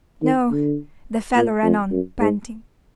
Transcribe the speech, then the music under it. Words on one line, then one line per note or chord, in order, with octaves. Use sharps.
No! the fellow ran on, panting.
D#3
D3
A#2
F2
F#2
G#2